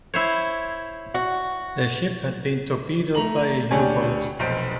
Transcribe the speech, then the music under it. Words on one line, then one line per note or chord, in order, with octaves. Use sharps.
Their ship had been torpedoed by a U-boat.
E4 C5 C#5
F#4
A3 A#5 F#7
D2 D4 G4 C#5 G#5
F1 B1 C5 D7